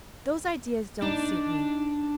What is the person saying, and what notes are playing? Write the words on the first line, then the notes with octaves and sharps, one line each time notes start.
Those ideas don't suit me.
D4 D#4